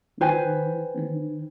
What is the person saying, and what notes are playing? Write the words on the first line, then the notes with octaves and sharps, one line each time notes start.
Mhm. Mhm.
B4 C5 G5 G#5